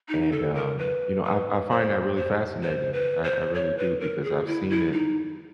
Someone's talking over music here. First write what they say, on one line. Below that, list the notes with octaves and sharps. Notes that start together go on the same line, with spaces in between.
And, um, you know, I I find that really fascinating, I I really do because I've seen it
D#4
A4
A#4
B4
B4
C5
C5
C5
B4
C5
C#5
B4
A#4
G#4
E4
E4
D#4